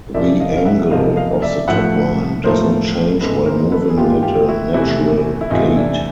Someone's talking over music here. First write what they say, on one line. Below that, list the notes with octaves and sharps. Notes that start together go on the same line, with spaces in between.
The angle of the topline does not change while moving at a natural gait.
E2 C3 F3 A#3 D5 E5
D#5 F5
F5
E5 F#5
E2 C3 F3 A#3 D#5 F5
D#5 F5
D5 E5
A2 F3 A3 E5 F#5
A2 F3 A3 A#4 C5
G#2 E3 G#3 B3 A4 B4
A#4 C5
A4 B4
G#4
G#2 E3 G#3 B3 F4 G4
F4 G4
E4 F#4
E2 C3 E3 A3 E4 F#4
E4
E2 C3 E3 A3 D#4 F4
D4 E4